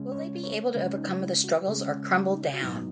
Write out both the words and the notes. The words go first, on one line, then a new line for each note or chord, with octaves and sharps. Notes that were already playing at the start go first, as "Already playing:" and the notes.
Will they be able to overcome the struggles or crumble down?
Already playing: C#3 G#3 C#4
C#5
C#5
C#3 G#3 C#4 B4
D#4
E4
F#4
C#3 G#3 C#4 G#4
D#4
F#4
G#2 F#3 B3 D#4 E4